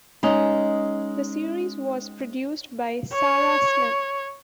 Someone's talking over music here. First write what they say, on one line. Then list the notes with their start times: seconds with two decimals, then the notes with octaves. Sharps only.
The series was produced by Sarah Smith.
0.23 G#3 C#4 D#4
3.14 C#5